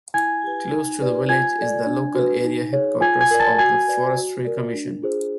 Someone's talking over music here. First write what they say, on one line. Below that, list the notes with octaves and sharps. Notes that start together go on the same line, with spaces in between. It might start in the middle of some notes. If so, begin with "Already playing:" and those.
Close to the village is the local area headquarters of the Forestry Commission.
E4 G#5 G#6
G4 B4
D#4
G4 B4 D5
F4 G#5 G#6
A4 D5
D4
F#4 B4
D#4
G#4 C#5
F4 G#5 G#6
G#5 G#6
A#4 D5
A5 A6
F#4 G#5 G#6
B4 D5
F#4
A#4 D5
D4
F4 G#4 C5